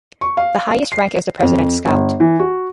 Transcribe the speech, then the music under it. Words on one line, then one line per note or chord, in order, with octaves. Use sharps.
The highest rank is the President's Scout.
C#6
F5
C7
F2
G1
E3
F#4